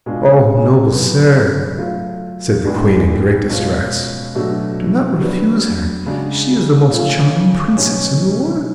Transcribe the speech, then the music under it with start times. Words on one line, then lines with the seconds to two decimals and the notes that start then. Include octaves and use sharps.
"Oh! noble sir," said the Queen in great distress, "do not refuse her. She is the most charming Princess in the world."
0.06 B2 G#3 D4 F4
0.92 F#3 B3 F#4
1.78 F#3 A3 F4
2.64 A2 G#3 B3 D4 F#4
3.49 B2 G#3 C#4 F4
4.35 B2 F#3 A3 D4 F#4
5.21 F#3 B3 D4 F#4
6.06 C#3 G#3 D4 F#4
6.93 C#3 F3 A3 C#4 F4
7.78 B2 F#3 C#4